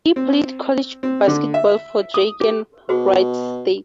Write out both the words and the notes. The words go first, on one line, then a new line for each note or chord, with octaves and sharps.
He played college basketball for Drake and Wright State.
C4
C4
D3
E5
D#6
G4
B2 F#4 G#4 C5